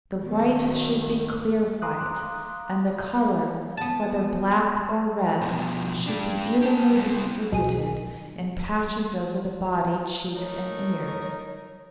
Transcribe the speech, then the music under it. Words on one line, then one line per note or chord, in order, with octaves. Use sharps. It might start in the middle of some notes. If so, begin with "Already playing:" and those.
The white should be clear white, and the colour, whether black or red, should be evenly distributed in patches over the body, cheeks, and ears.
F#2 B2 D#3
F5 A#5 C6 D6 D#6 F#6
B3 A5
B2 F3
D4 G4
G4 A4
G3 C4
B1 G#4
A3 D#4 A#4 C#5